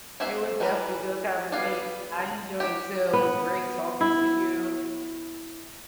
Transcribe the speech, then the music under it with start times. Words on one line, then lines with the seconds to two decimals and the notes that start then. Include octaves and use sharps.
It was definitely a good conversation. I enjoyed it, too. It was great talking to you.
0.20 A#3 C4 F#4 C5 E5
0.60 E3 G3 A#4 B4 A#5
1.52 G3 B3 G#4 D5 F5
2.60 F#4 G4
3.13 B3
4.01 E4